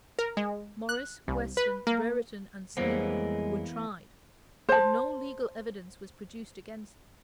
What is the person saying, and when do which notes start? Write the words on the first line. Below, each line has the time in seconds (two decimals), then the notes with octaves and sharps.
Morris, Weston, Brereton, and Smeton, were tried; but no legal evidence was produced against them.
0.19 A#4
0.37 G#3
0.89 F#6
1.28 C2
1.57 B4
1.87 A#3
2.77 F2 E3 G3 G#3 A#3 B3 C5 C#5
4.69 C5 A5